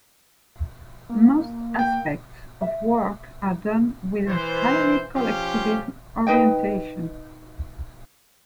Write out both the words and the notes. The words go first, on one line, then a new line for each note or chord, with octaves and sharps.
Most aspects of work are done with a highly collectivist orientation.
A#3
G5
E5
E3 C5
F3 C#4 F4 G4
D#4 B4 D#5 G5